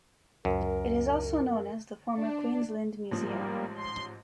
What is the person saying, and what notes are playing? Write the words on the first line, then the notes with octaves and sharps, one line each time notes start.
It is also known as the former Queensland Museum.
C#2 F#2 A#4
D4
A1 G#2 F3 G3 A#3
C6